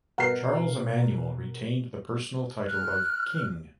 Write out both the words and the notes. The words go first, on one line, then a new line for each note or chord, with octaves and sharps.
Charles Emmanuel retained the personal title of King.
B2 A#4 F#5 A5 C7
F6 F#6